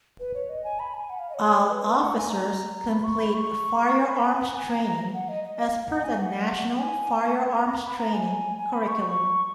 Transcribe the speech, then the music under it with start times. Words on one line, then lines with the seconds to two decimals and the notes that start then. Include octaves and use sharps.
All officers complete firearms training as per the National Firearms Training Curriculum.
0.20 B4
0.35 C#5
0.49 D#5
0.64 G#5
0.79 B5
0.94 G#5
1.10 F#5
1.19 F5
1.30 D#5
1.34 C#5
1.70 B4
1.84 B4
1.99 F#5
2.14 G#5
2.30 A#5
2.89 B5
3.04 C#6
3.19 B5
3.34 C#6
4.09 B5
4.24 G#5
4.39 F#5
4.54 G#5
4.69 A#5
4.84 A#5
5.14 F#5
5.29 D#5
5.44 D#5
5.59 F5
5.89 F#5
6.04 G#5
6.19 F#5
6.79 G#5
7.53 A#5
7.68 B5
7.84 B5
7.98 A#5
8.13 G#5
8.58 G#5
8.73 B5
8.88 C#6
9.03 C#6